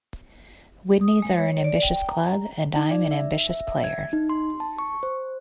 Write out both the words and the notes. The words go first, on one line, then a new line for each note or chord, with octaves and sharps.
Widnes are an ambitious club and I'm an ambitious player.
D#6
G#3
C#5
D5
G5
A#5
D#4
D5
E5
E5
E5
G#6
D#4
C6
A5
C#6
C5